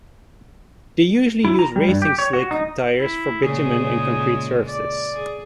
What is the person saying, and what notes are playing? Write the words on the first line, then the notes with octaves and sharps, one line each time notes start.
They usually use racing slick tyres for bitumen and concrete surfaces.
E4
A#5
G3
G2
G4
C#5
F#4
D#4
E4
A#2 C#3 G#3 G#4
D5
G#4